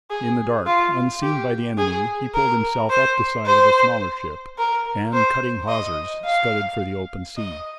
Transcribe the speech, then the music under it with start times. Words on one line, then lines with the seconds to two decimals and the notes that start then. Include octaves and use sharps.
In the dark, unseen by the enemy, he pulled himself up the side of a smaller ship, and, cutting hawsers, scudded for the open sea.
0.10 G#4
0.66 F4
1.22 G4
1.78 G#4
2.34 A#4
2.90 C5
3.46 C5
4.58 A#4
5.13 C5
5.68 D#5
6.25 F5
7.37 D#5